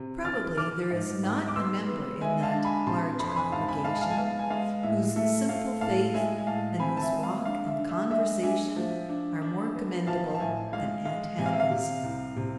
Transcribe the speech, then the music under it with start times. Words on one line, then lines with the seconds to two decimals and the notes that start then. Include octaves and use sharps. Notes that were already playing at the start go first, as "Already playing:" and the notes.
Probably there is not a member in that large congregation whose simple faith and whose walk and conversation are more commendable than Aunt Hannah's.
Already playing: C3
0.24 E3 F6 A6
0.57 E3 D6 F6
0.90 G#2
1.23 G#2
1.48 D6
1.56 B3 C6 E6
1.88 B3
2.21 G#3 E5 G#5
2.43 F5 A5
2.54 D4
2.65 G#5 B5
2.87 C3 A5 C6
3.20 F2 B5
3.28 C6
3.36 G#5 B5
3.52 G#2 F5 A5
3.68 G#5 B5
3.84 G#3 F5 A5
3.96 G#5
4.01 F5 A5
4.10 G#5
4.17 B3 F5 A5
4.39 G#5
4.50 G#3 F5
4.83 A2 E5
5.16 A3 E5
5.49 A3 F5
5.81 A2 F5 A5
6.14 G#3 E5 G#5
6.38 G#5
6.47 A2 F5 A5
6.79 C4 G#5 B5
6.97 A5
7.01 E5 G#5
7.13 G#3
7.23 F5
7.45 D4 F5
7.67 E5
7.78 D4
7.89 E5
8.11 G#3 E5
8.43 D4 E5 G#5
8.76 F3
9.09 D4
9.42 D4
9.75 B3
10.07 F3 F5 A5
10.35 A5
10.40 A1 E5 G#5
10.73 G#3 F5
11.05 G#3 F5
11.38 C3 G#5
11.46 F5
11.53 E5
11.60 F5
11.71 C3
12.04 C2
12.36 C3